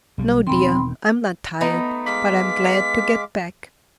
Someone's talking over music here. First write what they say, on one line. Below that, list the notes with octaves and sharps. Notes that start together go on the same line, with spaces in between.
"No, dear, I'm not tired--but I'm glad to get back."
B1 G3
E1 D#3 C4 B5 C6
A3 B3 D#4
G#3 F5 D6 B6